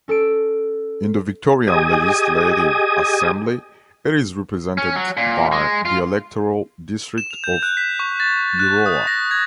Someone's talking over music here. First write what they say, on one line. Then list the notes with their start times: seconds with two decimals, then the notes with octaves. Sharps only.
In the Victorian Legislative Assembly, it is represented by the Electoral district of Euroa.
0.08 C#4 A4 E6 D7
1.67 G4 G#4 D#5 G#5 D#6
4.78 C#4
4.96 F#3
5.17 A#2
5.52 G#3
5.85 F4
7.18 E7
7.31 F7
7.44 G6
7.63 F#6
7.77 B6
7.99 C#6
8.20 A6
8.59 F#6
8.86 D#6
9.07 A#6
9.31 G#6